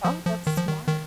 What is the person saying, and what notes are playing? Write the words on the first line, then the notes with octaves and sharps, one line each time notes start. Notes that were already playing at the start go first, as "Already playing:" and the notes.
Oh, that's smart.
F3
F3
D#3
F3
D#3
D#3